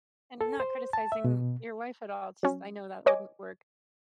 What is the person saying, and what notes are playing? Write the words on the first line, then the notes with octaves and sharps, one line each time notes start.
And I'm not criticizing your wife at all, it's just I know that wouldn't work.
A4
C5
A5
E5
B2
F#3 C#4
B4 C#5 D#5 G#5 D6